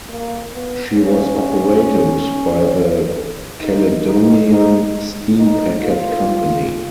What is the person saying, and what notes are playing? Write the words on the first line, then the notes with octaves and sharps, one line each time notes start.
She was operated by the Caledonian Steam Packet Company.
A#3
B3
C#4
D#4
D#4
D#4
D#4
F4